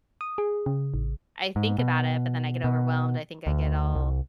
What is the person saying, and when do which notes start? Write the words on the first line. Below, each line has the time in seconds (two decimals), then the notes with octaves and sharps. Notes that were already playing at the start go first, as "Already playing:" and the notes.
I think about it, but then I get overwhelmed. I think I get all
0.21 D#6
0.38 G#4
0.66 C#3
0.94 A1
1.56 G#2
1.78 B2
2.64 B2
3.47 D2
3.95 C2